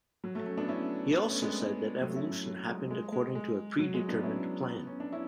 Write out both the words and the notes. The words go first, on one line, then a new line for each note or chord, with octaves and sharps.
He also said that evolution happens according to a predetermined plan.
F#3
F#3 A3
A3 C#4
B3 D4
C#4 E4
B3 D4
A3 C#4
G#3 B3
F#3 A3
C#4 E4
F#3
F#3
G#3
G#3
G#3
G#3
F#3
G#3
B3 D4
C#4 E4
B3
C#4
D4
C#4 E4